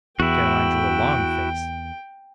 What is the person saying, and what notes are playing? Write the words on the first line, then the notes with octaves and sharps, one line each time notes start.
Caroline drew a long face.
E2 E4 F#4 G5